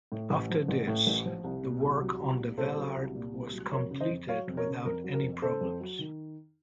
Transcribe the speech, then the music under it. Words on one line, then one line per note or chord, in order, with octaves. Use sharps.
After this, the work on the Vellard was completed without any problems.
A2
A1
F3
A1
A2
A1
F3
C2
A#2
C2
F#3
C2
A#2
C2 A4 C5
F#3
C2
A#2
C2
F#3
F2 A#4 C#5
C#3
C5 D#5
F2
F#3 C#5 F5
F2
A#4 C#5
C#3
F2 A#4
F#3
A#4
F2
C#3 A4 C5
F2
F#3
D#3